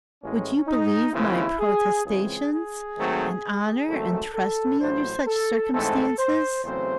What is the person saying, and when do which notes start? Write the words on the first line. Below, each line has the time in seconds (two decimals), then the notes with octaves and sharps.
Would you believe my protestations, and honour and trust me under such circumstances?'
0.22 A1 A2 G#3 C#4
0.68 D#4
1.14 D#2 C#3 E3 G#3 C4 E4
1.60 G#4
2.05 C#2 C#3 E3 G#3 C4 G#4
2.51 G#4
2.97 G#2 D#3 F#3 A3 C4
3.89 G#1 G#2 F#3 A3 C4 A4
4.35 A4
4.81 A1 A2 F#3 C5
5.27 A4
5.73 A1 G#2 E3 A3 C4 A4
6.19 C5
6.64 E2 C#3 F#3 A3 C4 C5